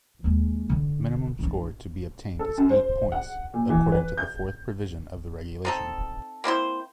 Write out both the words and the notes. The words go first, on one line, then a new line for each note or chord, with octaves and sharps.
Minimum score to be obtained is eight points, according to the fourth provision of the regulation.
D#2 G#3
D3
A1 D4
A4
F#2
C5
F#5
A#2
E3
B4
G6
C4 D#4 A4
A#3 C4 E4 C5